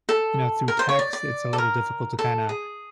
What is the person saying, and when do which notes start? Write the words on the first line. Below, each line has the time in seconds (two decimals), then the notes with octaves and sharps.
you know, through text, it's a little difficult to kinda,
0.09 A4
0.68 A#4
0.79 C5
0.89 C#5
0.99 D5
1.13 D5
1.53 A4
1.58 A#4
2.19 A4
2.49 G#4